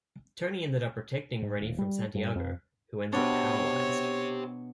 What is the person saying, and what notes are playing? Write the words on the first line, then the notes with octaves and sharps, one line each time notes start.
Tony ended up protecting Reny from Santiago, who ends up paralyzed.
G#2
D#1
G3
G2
F2
B2 D4 G4 C5 C#5